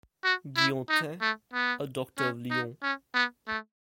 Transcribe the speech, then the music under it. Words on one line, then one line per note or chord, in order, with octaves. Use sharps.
Guillotin, a doctor of Lyons.
F#4
E4
D#4
A3
B3
C#4
D#4
C#4
B3
A3